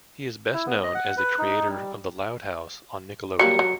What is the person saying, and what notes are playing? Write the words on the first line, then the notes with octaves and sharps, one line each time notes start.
He is best known as the creator of "The Loud House" on Nickelodeon.
E4
B3
D#5
F#5
B4
D#4
G3
F#3 G3 A#3 C#7
F#3